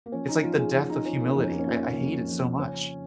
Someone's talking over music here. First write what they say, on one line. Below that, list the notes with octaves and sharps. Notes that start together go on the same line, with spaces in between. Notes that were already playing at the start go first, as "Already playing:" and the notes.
it's like the death of humility, I I hate it so much.
A#3
F3 C#4
D#4
F3 F4
G#4
F3 F4
D#4
F3 C#4
A#3
F2 D#4
C#4
A#3
C#4
F3 A#3
F2
F3
C#3 C#4